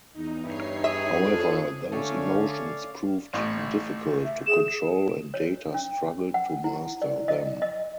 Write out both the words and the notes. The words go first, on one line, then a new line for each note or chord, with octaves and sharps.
However, those emotions proved difficult to control and Data struggled to master them.
E2 D#4
G2 D#4 E4 C#5 C7
G#4 E5
F2 A4
D3 A3 C#4 D5 F5
A1 A2
E5
G#4 E7
C#5
C#4
F#5
E4
D5
D#5
D#5